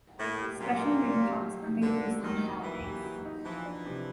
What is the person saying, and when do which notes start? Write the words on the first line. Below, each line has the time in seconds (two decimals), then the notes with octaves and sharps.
Special Ring Pops are made for some holidays.
0.20 A2 A#3
0.41 G4
0.61 A#2 F#3
0.81 D#4
1.01 A#3
1.22 G4
1.42 F#3
1.62 D#4
1.82 D3 A#3
2.03 G4
2.24 D#3 F#3
2.43 D#4
2.63 E3 A#3
2.84 G4
3.05 F#3
3.25 D#4
3.45 E3 F3
3.66 D4
3.86 C3